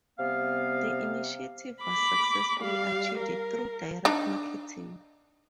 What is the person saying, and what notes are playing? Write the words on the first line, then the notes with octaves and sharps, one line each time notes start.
This initiative was successfully achieved through direct marketing.
C3 G3 B3 F5
B5 D6
G3 F5
A#4
D4 D#4